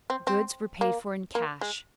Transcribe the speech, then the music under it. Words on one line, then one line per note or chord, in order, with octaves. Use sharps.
Goods were paid for in cash.
C4
C4
A#3
A#3
G#3